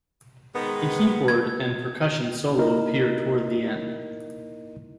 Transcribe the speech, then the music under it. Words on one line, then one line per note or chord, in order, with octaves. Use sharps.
A keyboard and percussion solo appear toward the end.
D#3 G#3 B3
G#6
A#3 D#4 E4 A#4 D#5